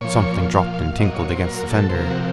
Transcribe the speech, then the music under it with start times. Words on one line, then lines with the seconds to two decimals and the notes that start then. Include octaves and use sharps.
Something dropped and tinkled against the fender.
0.01 A#2 F3 C#5
0.49 F5
0.74 F5
0.99 A#2 F#3 D#5
1.15 C#5
1.30 C5
1.47 A#4
1.70 A4
1.89 C5
1.94 C3 F3 A#4
2.10 F#4